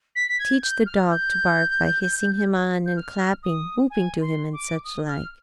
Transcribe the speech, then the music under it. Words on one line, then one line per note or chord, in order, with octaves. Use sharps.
Teach the dog to bark by hissing him on and clapping, whooping to him and such like.
B6
B6
G#6
G6
F6
G6
G6
F6
D#6
G#5
C6
D6
D#6
F6